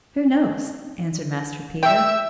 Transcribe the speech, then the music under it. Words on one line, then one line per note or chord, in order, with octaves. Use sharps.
'Who knows?' answered Master Peter.
E5 G5 E6